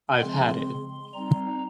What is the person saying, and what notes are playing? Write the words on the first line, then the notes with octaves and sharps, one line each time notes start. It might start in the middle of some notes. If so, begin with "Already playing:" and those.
I've had it.
C#3 F3 G#3 C4 C6
G3 C4 D#4 A#5